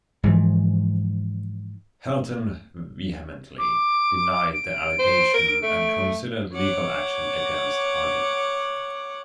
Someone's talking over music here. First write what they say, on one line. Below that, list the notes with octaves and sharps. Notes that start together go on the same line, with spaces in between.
Helton vehemently denied the allegation and considered legal action against Hagin.
G#2 E3 F3
D6
D7
C5
A#4
A3
C#5 F#5 D6